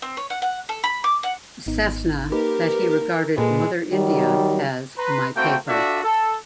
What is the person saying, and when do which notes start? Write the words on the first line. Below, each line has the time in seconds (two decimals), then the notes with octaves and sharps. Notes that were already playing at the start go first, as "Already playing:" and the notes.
Sethna that he regarded 'Mother India' as "my paper".
0.02 C4
0.17 C#5
0.30 F#5
0.42 F#5
0.69 A4
0.84 B5
1.04 D6
1.23 F#5
1.66 G#1 B3 D#4
2.32 A#3 D#4 G4 A#4 B4
3.38 A#2 G#3 A#3 A4 B4
3.92 D#3 F#3 G3
4.98 B4 A#5 C6
5.36 A3 A#3 C4 F#4 G5
5.67 D4 F4 F#4 A4 D5 E5
6.04 A4